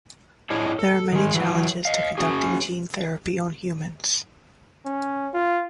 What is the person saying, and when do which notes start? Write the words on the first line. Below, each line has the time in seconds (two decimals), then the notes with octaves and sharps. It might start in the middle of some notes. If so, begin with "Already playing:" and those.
There are many challenges to conducting gene therapy on humans.
0.50 D4 E4 F4 G#4 C#5 D#5
0.79 A4
1.12 D#3 G#3
1.34 E3 F#3
1.85 D#5 F5
2.18 C#4 F#4 G#4
4.86 C#4
5.34 F4